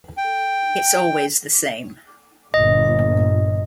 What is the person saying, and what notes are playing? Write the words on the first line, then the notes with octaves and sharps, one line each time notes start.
It's always the same.
G5
G1 A#2 D#5